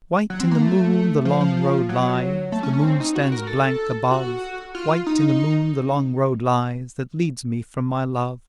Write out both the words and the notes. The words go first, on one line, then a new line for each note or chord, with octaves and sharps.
White in the moon the long road lies, The moon stands blank above; White in the moon the long road lies That leads me from my love.
F#3
C4
A#3
A3
F3
F3
F3
F#3
A3
C#4
C#4
C4
D#4
F#4
A#4
A4
F#4
F4
D#4